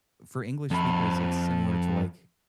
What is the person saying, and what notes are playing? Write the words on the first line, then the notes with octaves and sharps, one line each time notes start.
for English speakers, it's similar to, like,
F2 B5